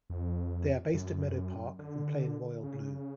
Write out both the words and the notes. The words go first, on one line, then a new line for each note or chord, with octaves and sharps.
They are based at Meadow Park and play in royal blue.
F2
F#2
D3
C#3